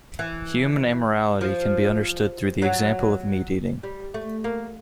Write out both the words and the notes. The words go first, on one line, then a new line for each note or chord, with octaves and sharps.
Human amorality can be understood through the example of meat eating.
E3
F3
F#3
G3
A3
A#3